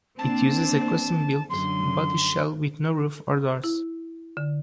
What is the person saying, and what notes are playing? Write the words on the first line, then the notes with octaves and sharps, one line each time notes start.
It uses a custom built bodyshell with no roof or doors.
A#3 C4 D4 A5
F#2 D3 C6
E4
D3